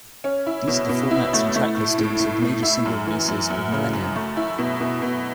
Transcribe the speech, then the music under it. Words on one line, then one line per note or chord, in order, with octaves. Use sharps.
These are the formats and track listings of major single releases of "Millennium".
C#4
E4
B2
B2
E4
A3
A3
A2
A2
A2
A2
E4
F#2
E3
F#2
F#2
C#3
F#2
A3
E4
B2
B2
B2